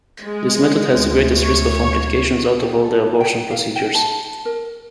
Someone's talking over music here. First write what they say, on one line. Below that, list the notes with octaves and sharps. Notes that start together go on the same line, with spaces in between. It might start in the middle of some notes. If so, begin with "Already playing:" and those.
This method has the greatest risk of complications out of all the abortion procedures.
G#3
D2
C#5
G4
A4
G5
F5
G5
A5
A#4